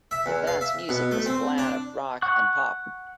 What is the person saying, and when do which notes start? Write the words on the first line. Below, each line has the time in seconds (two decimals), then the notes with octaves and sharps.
The band's music was a blend of rock and pop.
0.11 E5
0.26 E2
0.47 F5
0.61 E5
0.89 B2
1.11 A3
1.26 C4
1.58 D4
2.22 F#5 C#6 F#6